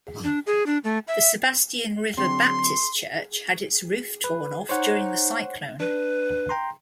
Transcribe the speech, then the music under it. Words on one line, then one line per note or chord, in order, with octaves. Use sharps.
The Sebastian River Baptist Church had its roof torn off during the cyclone.
D4
G#4
D4
A3
E5
D3 F#3 C4 C6
B4
D#4 C5 C#5 F#5
D4 B4
G5 A#5 C6